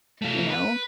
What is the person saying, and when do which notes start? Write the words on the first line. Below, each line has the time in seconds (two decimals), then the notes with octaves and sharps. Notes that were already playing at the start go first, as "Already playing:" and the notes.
you know?
0.22 A3 F4
0.50 B4